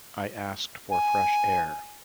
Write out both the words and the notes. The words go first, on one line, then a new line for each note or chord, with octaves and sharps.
I asked for fresh air.
G#5